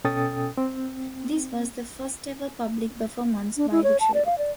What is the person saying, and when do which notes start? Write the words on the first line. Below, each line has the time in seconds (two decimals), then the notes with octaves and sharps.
This was the first ever public performance by the trio.
0.04 B2 C#4 A4 G5 D#6 A6
0.58 C4
3.57 D4
3.71 E4
3.84 C#5
4.00 A5
4.14 D5
4.26 F5
4.38 D5